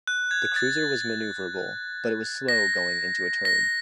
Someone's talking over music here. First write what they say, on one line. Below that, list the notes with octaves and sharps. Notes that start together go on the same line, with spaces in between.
The cruiser was maneuverable, but was slow going into a turn.
F#6
G#6
A6
A#6
A#6